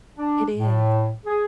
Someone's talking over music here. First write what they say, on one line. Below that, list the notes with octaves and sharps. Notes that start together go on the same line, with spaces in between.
It is.
D4
A2
G#4